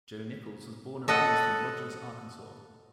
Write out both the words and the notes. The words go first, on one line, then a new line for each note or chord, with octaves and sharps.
Joe Nichols was born and raised in Rogers, Arkansas.
A4 D#5 F#5